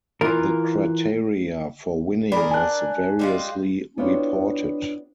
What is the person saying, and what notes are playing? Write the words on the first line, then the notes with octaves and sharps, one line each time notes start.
The criteria for winning was variously reported.
E3 F4 A#4
D4 G#4 A#4 B5
G#5 A5 F#6
G3 G#3 F4
B3 D4 E4 F4 G4 C#5